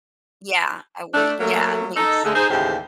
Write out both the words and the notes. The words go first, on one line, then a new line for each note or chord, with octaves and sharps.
Yeah, a week, yeah. It means
A3 D4
F#3 A3 A#3
D#4 A4
D3 G#3 A3
D#4 G#4 C5
D#2 A2 C#3 E3 G4 C5